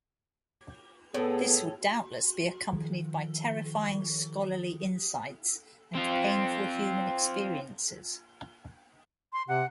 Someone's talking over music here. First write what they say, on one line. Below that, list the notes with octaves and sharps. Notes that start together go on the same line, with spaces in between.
This would doubtless be accompanied by terrifying scholarly insights and painful human experiences.
A2 B3 G#4 A4
D#3 F3
C4 F4
C6
C3 F#5